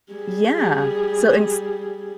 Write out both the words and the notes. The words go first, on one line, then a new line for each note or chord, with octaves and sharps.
yeah, so ins
G3 G#4